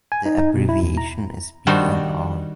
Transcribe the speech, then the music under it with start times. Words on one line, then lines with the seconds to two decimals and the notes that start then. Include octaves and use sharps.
The abbreviation is Bnr.
0.12 G#5
0.26 D#4
0.39 D#4
0.54 B2
0.69 E4
0.83 E2
0.97 A#5
1.67 D#3 G3 D4 D#4 F#4 C5